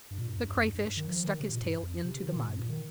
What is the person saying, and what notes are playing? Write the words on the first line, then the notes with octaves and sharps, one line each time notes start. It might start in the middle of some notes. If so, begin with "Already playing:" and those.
The Crayfish stuck his tail into the mud.
G2
A#2
G2
F2
G2
F2
G2
G2
G2
D#3
F3
D#3
C3
A#2
G2
F2
C3
C3
D#3
A#2
G2
A#2
D#3